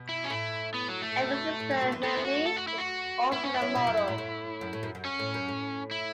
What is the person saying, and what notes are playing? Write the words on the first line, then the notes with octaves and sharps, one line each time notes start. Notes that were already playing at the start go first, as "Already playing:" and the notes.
Emme's sister Melanie is also a model.
Already playing: B2
E4
C#4
A2 E4
B3
F#3
A3
A2
B2
A2
F#2
B2
E3
A3 B3
E4
F#4
A4
F#4
E4
F#4
B3 E4
C#4
E4
C#4
B2
F#2
F#2
A2
A2
F#2
A2
F#2
F#2
C#4
A2
F#2
A2
E4